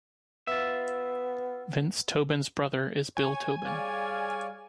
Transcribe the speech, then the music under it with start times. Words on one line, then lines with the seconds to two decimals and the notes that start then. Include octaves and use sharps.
Vince Tobin's brother is Bill Tobin.
0.47 B3 F4 E5
3.17 C#5 G#5
3.65 G3 G#4 C#5 D5 F5